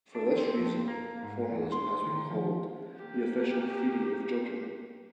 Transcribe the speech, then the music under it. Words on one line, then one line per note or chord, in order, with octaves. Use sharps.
For this reason, formalism has been called 'the official theory of judging'.
D4
C4
F2
A#3
G#2
E2
C6
D#3
F3
A#3 G4